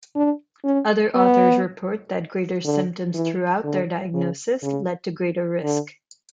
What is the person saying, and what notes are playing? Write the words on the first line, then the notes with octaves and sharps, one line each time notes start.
Other authors report that greater symptoms throughout their diagnosis led to greater risk.
D4
C#4
B3
D3
E3
D3
C#3
C#3
D3